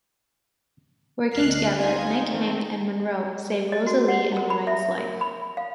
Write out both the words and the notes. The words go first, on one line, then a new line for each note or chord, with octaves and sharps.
Working together, Nick, Hank and Monroe save Rosalee and Ryan’s life.
D2 D#5 F6 F#6 C7
D#4 F4 G#5
D#3 A3 C4
D#5
F#4
F#5
A#4
B5
E5
A#4
B5
F5